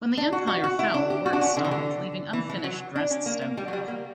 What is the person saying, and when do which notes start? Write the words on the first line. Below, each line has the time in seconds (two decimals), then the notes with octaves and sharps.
When the Empire fell, work stopped, leaving unfinished dressed stonework.
0.17 D4
0.32 F#4
0.47 F#4
0.64 F#4
0.79 E4
0.94 D4
1.10 G4
1.26 F#4
1.33 D4
1.41 C#4
1.57 D3
1.64 E3
1.71 D3
2.33 E3
2.50 E3
2.64 F#3
2.95 D4
3.10 C#4
3.26 A#3
3.41 A#3
3.57 G3
3.68 F#3
3.73 G3
3.88 A#3